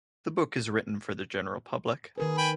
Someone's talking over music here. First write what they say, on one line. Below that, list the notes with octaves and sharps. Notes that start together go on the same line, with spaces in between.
The book is written for the general public.
D#3 G#4 A#4 B4
G5 G#5 B5